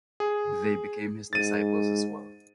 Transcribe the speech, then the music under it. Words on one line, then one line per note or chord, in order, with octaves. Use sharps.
They became his disciples as well.
G#4
G#2 A6 D#7